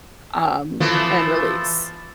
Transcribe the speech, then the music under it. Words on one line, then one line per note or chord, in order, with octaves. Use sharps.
um, and release,
E3 F3 A3